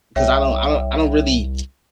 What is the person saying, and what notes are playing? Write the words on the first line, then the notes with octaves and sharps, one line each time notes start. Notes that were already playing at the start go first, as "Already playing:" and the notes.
'cause I don't I don't I don't really
C2 C#5 E5 G5